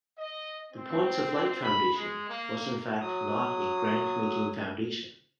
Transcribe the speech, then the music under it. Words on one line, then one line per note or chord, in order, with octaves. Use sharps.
The Points of Light Foundation was in fact not a grant-making foundation.
D#5
C4
B5
G#3
A#3
F#3 D#6